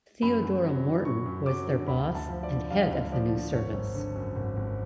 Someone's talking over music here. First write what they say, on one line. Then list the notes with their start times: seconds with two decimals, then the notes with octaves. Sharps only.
Theodora Morton was their boss and head of the new service.
0.22 F#2 B5
0.43 F#2
0.64 F#3
0.84 D3
1.05 F#2 C#6
1.26 F#2
1.46 F#3 D6
1.67 D3
1.88 D2 B5
2.09 D2
2.15 A5
2.29 F3
2.43 D5
2.50 D3
2.70 D2 F5
2.91 D2
3.12 F3 D5
3.33 D3
3.53 G#1 C#5
3.74 G#1
3.95 D3
4.15 F#2
4.36 G#1
4.57 G#1